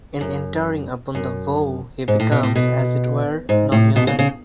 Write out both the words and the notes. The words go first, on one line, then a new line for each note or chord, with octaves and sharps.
In entering upon the vow he becomes, as it were, nonhuman.
F#2
F#2
G#2
A2
B2
A2
B2
G#2
A2
B2
C#3
C#3